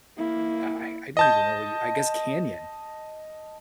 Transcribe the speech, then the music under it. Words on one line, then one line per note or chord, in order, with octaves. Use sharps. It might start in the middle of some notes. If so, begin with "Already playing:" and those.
I I don't even know what you I guess canyon.
A#3 E4
D#5 A5 G6